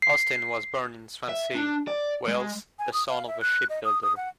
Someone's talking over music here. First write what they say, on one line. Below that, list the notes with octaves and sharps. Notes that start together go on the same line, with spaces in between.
Austin was born in Swansea, Wales, the son of a shipbuilder.
C7
E5
D4
D5
G#3
G#5
D#6
F5
E5
F#6
D#5
D#6
D#6
F#5